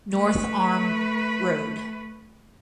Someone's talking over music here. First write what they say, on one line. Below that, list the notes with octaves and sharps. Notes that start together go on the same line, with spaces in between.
North Arm Rd.
A3 B4